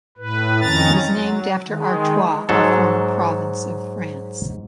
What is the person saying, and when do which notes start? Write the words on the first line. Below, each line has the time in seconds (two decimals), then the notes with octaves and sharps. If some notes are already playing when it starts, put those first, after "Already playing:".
It is named after Artois, a former province of France.
0.18 A2 B4
0.61 F2 D#3 C#4 A#5 A6
1.03 F#3
1.65 D#3 G#3
2.49 G#2 F#3 A4